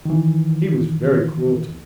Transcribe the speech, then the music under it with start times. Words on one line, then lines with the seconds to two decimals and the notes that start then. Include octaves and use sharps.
He was very cruel to me.
0.05 D#3 E3